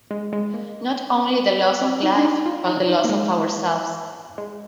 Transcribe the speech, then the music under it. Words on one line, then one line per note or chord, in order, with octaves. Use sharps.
Not only the loss of life, but the loss of ourselves.
G#3
G#3
A#3
C4
D#4
D4
D#4
F4
D#4
D#4
A#3
G#3
G#3